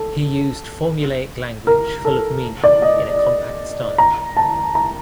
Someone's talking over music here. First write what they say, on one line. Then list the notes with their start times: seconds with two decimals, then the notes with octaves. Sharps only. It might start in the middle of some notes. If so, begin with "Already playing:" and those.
He used formulaic language full of meaning in a compact style.
Already playing: A4
1.67 A#4
2.05 A4
2.64 D5
2.82 D#5
3.98 A#5
4.37 A5
4.75 A#5